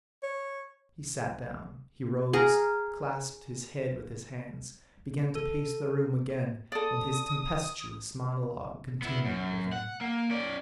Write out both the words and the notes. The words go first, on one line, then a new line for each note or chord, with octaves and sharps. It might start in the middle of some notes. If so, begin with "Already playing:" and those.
He sat down, he rose, clasped his head with his hands, began to pace the room again, and his tempestuous monologue continued within him.
C#5
G#4 A#4
A4
A4 D5 D#6
B3 E4
F#2
F#5
A#3
C#4 D5